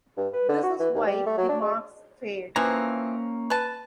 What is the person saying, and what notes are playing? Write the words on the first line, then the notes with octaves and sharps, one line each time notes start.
This is why the marks fade.
G2
B4
D3
F#4
E3
D#2
G3
A3
F#3
D4
G#3
E3 F3 A#3 C4 C#4 A#5
B4 A5